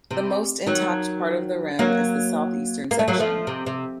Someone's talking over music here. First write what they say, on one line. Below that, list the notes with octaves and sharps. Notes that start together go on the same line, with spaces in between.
The most intact part of the rim is the southeastern section.
C3
D#3 F#3
F#3 A#3
A#3
A3
F#3 A#3
F3 A3
C3
C3